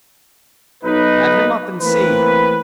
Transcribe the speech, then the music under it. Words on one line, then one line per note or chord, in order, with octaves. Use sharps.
"Have him up and see...."
B1 D#4 B4
E3 A3 A#3 C4 B4